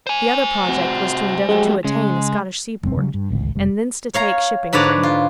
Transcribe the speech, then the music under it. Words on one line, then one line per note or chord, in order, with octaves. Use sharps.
The other project was to endeavour to attain a Scottish seaport, and thence to take shipping for England.
C5 G#5
C3 C4 F#4
F2 F#3 G#3 G4
C#3 G#3
F1 A#1 G2 C4
C#3 F#3 G3
G2
D1 G#1 C#2
F1 G3
C#5 F5 A#5
G#2 D3 B4 C#5 D5 A#5
F4